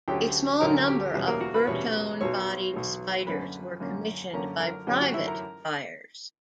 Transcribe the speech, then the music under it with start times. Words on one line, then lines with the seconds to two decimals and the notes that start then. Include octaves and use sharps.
A small number of Bertone bodied spiders were commissioned by private buyers.
0.08 D2 D3 F#3 C#4 G4 G5
0.60 D2 D3 F#3 C#4 A#4 A#5
0.87 G4 G5
1.14 E2 B2 G3 C#4
1.27 A#3 A#4
1.41 F#4 F#5
1.54 B4 B5
1.67 E2 B2 G3 C#4 C#5 C#6
2.21 B1 B2 F#3 C#5 C#6
2.74 B1 B2 F#3
3.27 F#2 D3 A#3 C#4 B4 B5
3.80 F#2 D3 A#3 C#4
4.33 F#2 D3 A#3 C#4 A#4 A#5
4.60 A#4 A#5
4.87 F#2 D3 A#3 C#4 G4 G5
5.01 F#4 F#5
5.14 E4 E5
5.27 A#4 A#5